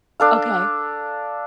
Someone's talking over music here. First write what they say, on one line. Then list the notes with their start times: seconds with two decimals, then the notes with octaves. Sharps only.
o o Okay.
0.20 D4 A4 F5